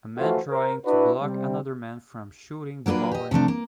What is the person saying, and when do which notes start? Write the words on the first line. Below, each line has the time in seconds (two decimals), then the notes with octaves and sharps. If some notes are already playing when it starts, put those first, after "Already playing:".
A man trying to block another man from shooting the ball in.
0.17 E3 A3 F4 F#4 A4 C5
0.50 A#4 C5
0.85 D4 E4 F#4 B4
1.21 C3 G3 C4
2.86 F#3 A#3 D4 F4 B4
3.12 G4 D#5
3.31 C3 F3 A3 D4
3.48 A#3